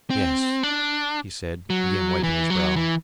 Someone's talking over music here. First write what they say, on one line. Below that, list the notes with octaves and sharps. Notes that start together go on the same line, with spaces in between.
"Yes," he said, again wiping his brow.
C4
D4
F#3
E3
F#3
E3